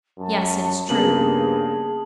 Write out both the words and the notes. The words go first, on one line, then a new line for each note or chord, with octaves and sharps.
Yes, it is true.
F#2 A5
G2 C#3 A#3 B3 G#4 A5 F#7